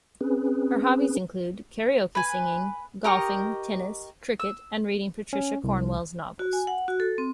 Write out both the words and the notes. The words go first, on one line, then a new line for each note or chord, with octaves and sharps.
Her hobbies include: karaoke singing, golfing, tennis, cricket, and reading Patricia Cornwell's novels.
C4 C#4 G#4 B4
B4 G#5
G4 A#4 D#5 C#6
E6
C#4
C2
F#4
G#5
F#5
F#4
A4
C4